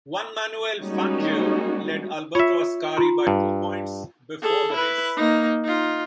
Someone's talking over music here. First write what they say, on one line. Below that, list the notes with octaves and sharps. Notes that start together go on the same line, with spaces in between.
Juan Manuel Fangio led Alberto Ascari by two points before the race.
G3 G#3 A#3 C#4 D#4 F#4
F4 C#5 E5
F4 A#5 C6
G2
G#4 A4
E4 B4
A#3 D#4
D#4 F4